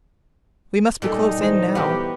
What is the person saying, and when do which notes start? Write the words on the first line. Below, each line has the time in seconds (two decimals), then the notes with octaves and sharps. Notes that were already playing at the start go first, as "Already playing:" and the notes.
We must be close in now!
1.02 A#2 G3 D#4 A4
1.38 E3 C5
1.75 B3 F#4 G4 A#4